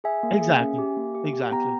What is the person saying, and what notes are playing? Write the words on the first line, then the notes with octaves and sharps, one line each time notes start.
Exactly, exactly.
G#4 E5 G#5
A#3
G#4
C#4
G4
A#3
G4
G4
B3 G5 A#5